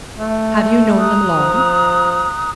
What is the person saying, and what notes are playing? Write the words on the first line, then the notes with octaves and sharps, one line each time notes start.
"Have you known them long?"
A3
A#5 D#6 F#6
F3